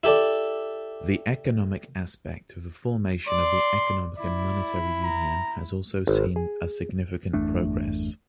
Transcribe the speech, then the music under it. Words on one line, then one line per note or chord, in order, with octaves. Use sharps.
The economic aspect of the formation of the economic and monetary union has also seen a significant progress.
E4 G4 A4 D5
D5 C6
E4 D5
A#5
G#1
G#4
G1 E2 A3 D4